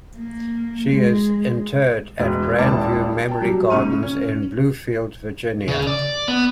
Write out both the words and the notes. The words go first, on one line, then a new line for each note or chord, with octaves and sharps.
She is interred at Grandview Memory Gardens in Bluefield, Virginia.
A#3
G#3
E1
D#1 G#1 E4 A5 D6
G5 A5
F#3 G3
G#2 C#3 C#6 F6 D#7
C#4
C#3
D5
B3